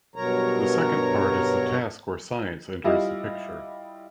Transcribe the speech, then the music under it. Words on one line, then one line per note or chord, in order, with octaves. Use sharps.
The second part is the task where science enters the picture.
G2 B2 F#3 A#4 C#5 A#5
G3 E4 F4 D#5 F5